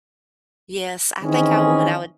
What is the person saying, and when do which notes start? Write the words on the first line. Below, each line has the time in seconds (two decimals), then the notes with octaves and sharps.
Yes, I think I would I would
1.22 D#3 E3 C4 C#4 G#4 D#5